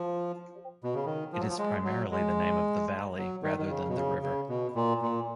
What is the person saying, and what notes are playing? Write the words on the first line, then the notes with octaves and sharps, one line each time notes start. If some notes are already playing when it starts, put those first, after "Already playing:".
It is primarily the name of the valley rather than the river.
Already playing: F3
B2
C#3
D#3
F3
F#3
F3
G#3
F#3
G#3
F#3
D#3
D#3
C#3
B2
C#3
C#3
B2
A#2
A#2